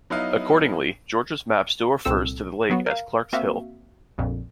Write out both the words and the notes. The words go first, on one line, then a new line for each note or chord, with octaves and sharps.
Accordingly, Georgia's map still refers to the lake as Clarks Hill.
F#3 B3 D#4 E4 B4 F5
C2 A#2 C4 A4 E6 E7
F#3 B3 F#4
A#4 F5
A#3 C4 F#4 E5 F5
A#1 F2 A#2